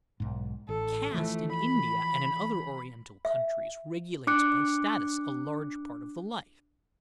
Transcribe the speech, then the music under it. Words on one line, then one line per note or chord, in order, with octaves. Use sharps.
Caste in India and in other Oriental countries regulates by status a large part of the life.
B1 G#2
A1 A4
E3 F3 A3
B5
E5
D4 D6 F#6 C#7